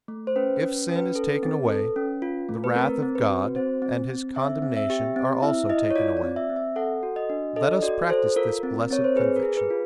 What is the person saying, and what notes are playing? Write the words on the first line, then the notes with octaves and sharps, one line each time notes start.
If sin is taken away, the wrath of God and His condemnation are also taken away. Let us practice this blessed conviction.
A3
C5
C#4 B4
B4
C#4
C#4
B4
A4
C4
A4
C#4
F4
A3
B4
C4 A#4
C4
B4
F#4
C4 C5
C4
C4
C4 E5
C4
E5
G4
C4
E4 E5
E4 D#5
C#5
F4 D5
D5
C4
E5
C4
E5
A4 F#5
F#4
D#5
D4
A4 D#5
F#4 D5
A4 C5
F4 A#4
C4
C4 C#5
C5
G#4 B4
A#4
G#4
B4
F4